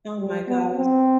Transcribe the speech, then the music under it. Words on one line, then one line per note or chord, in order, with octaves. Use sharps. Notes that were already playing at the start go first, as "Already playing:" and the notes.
Oh my gosh.
G3
B3
C4